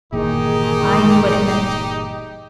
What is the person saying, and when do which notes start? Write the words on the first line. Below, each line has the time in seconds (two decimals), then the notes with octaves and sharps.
I knew what it meant.
0.12 G1 A#2 D#3 E3 D#4 G4 G#4